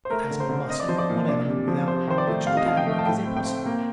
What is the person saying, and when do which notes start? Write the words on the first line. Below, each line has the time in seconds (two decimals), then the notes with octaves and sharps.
It has more muscle, that one element without which good hand work is impossible.
0.05 C5
0.10 A3 A#4
0.30 D3
0.40 C5
0.49 D3
0.69 C4 D#5
0.80 D5
0.89 F3 C5
0.98 D5
1.09 A#2
1.28 D4 D5
1.48 C3
1.68 F3
1.88 C3 C5
2.08 D#3 C5
2.18 D5
2.27 A3
2.47 C3 F5
2.57 D#5
2.66 F3 F5
2.77 G5
2.86 A3
2.99 A5
3.06 A2 G5
3.26 C4
3.37 G5
3.46 C4
3.66 A#3